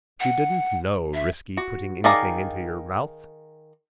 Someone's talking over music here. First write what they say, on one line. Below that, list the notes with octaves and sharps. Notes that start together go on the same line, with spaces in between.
If you didn't know risky putting anything into your mouth.
F#5
E5
F#4
D#3 G#4 D5 F5 A#5